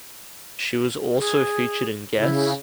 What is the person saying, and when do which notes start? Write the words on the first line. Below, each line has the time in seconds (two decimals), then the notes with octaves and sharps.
She was also featured in Guess?
1.19 G#4
2.18 C#3 E4